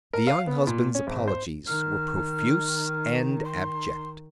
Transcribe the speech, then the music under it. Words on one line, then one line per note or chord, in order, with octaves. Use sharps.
The young husband's apologies were profuse and abject.
A#4
F5
B3
A#2
C#4
G#1
C5
D#3 F6
C6